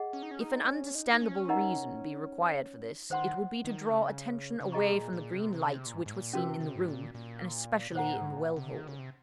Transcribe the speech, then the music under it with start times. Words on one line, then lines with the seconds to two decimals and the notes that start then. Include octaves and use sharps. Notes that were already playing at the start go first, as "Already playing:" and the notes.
If an understandable reason be required for this, it would be to draw attention away from the green lights which were seen in the room, and especially in the well-hole.
Already playing: G#4 D#5 F#5
0.13 C#4
0.23 D#4
0.31 C#4
0.41 D#4
0.68 C#4
0.95 D#4
1.13 D#4
1.22 C#4
1.49 D#4 A#4 D#5 F#5 A#5
3.10 D#3 C5 F#5 C6
3.64 D#3
3.91 C#3
4.61 C#3
4.71 C3 G#4 D#5 A#5 C#6
4.92 A#2
5.13 A#2
5.33 C3
5.47 A#2
5.53 C3
5.68 C#3
5.73 C3
5.86 A#2
5.93 G#2
6.06 G#2
6.13 A#2
6.33 C3 C#4 F#4 A#4
6.60 C3
6.75 G#2
6.88 A#2
7.15 A#2
7.91 C3
7.95 A#2 C5 F#5 A#5
8.16 G#2
8.36 A#2
8.56 C3
8.76 D#3
8.87 C#3
8.99 C3